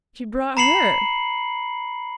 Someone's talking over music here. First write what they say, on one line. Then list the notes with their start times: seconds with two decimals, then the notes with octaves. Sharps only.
She brought HER.
0.57 A#5 B5 C7 C#7 F#7